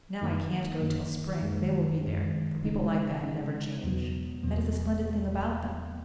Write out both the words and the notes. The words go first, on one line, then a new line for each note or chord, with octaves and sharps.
Now I can't go till spring, but they will be there, for people like that never change . . . that is the splendid thing about them.
F#2 D#3 A#3 D#4
F#2 D#3 A#3 D#4
F#2 D#3 G#3
F#2 D#3 G#3
C#3 G#3 D#4
C#3 G#3 D#4
E2 B2 F#3 B3
E2 B2 F#3 B3